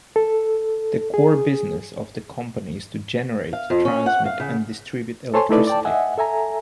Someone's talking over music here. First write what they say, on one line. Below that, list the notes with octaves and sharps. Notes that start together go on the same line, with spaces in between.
The core business of the company is to generate, transmit and distribute electricity.
A4
G#4
F5
F2
C#4
F#5
F5
C#3
A4 C5 C#5 G#5 A5 C6
A3 D#4 E4 A4 B4 D5
D5 G5 A5
D#5 E5 F#5 G#5
A4 E5 G#5 A#5